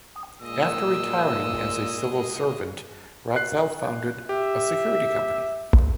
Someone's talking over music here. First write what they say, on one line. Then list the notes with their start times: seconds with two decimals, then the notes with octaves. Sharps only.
After retiring as a civil servant Ratzel founded a security company.
0.41 A#2 G#3 D#5 E6
3.36 F#6 C7
4.29 G4 E5